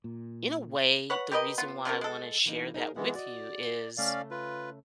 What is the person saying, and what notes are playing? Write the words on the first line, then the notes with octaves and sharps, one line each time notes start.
in a way the reason why I wanna share that with you is
A#2
B4 C#5 F#5
G4 A#4 B4 D#5
B3 F4
C#3 F3 C#4 A#4
G#3 A4
E3 A#3 D#4
D#4 G#4 A#4
E3 G#3 B3 F#5
F#4 D5 D#5
C#3 A3 C#4 D5 F5
F4 B4